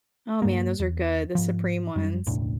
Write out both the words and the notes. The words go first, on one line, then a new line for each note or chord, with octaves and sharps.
Oh, man, those are good, the supreme ones.
G2 A#3
E2
G#2 F3
F#2 G3
E1 C#2 A2 D4